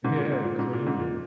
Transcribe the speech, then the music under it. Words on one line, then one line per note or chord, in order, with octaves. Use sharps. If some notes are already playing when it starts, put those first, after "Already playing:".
Yeah, 'cause we're human.
G#2
A#2
G#2
A#2
G#2
A#2
G#2
A#2